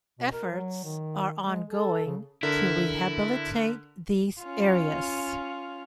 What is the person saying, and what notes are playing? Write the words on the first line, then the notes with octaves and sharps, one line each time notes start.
Efforts are ongoing to rehabilitate these areas.
B2
A#4
F#3
D#3
G#3
A4
C#3
D3 E4 A#4
C#4 F4